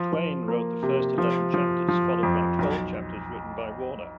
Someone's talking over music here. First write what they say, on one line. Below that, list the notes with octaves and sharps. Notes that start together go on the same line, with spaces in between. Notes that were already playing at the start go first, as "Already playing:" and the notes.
Twain wrote the first eleven chapters, followed by twelve chapters written by Warner.
Already playing: F3
F3
A#3
C3
F3
F3
F3
F2
B1